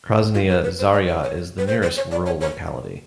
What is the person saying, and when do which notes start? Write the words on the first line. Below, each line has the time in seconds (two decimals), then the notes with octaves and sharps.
Krasnaya Zarya is the nearest rural locality.
0.35 F4
0.49 A#4
0.64 B4
0.79 C5
0.94 D5
1.08 C#5
1.23 C#5
1.58 B4
1.67 C5
1.82 C5
1.97 C#5
2.11 D5
2.26 C#5
2.41 C#5